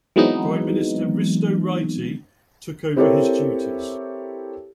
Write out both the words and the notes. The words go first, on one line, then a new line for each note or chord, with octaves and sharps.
Prime Minister Risto Ryti took over his duties.
E3 F#3 G#3 B3 C4 D#4
C4 E4 G4 A4 A#4 C#5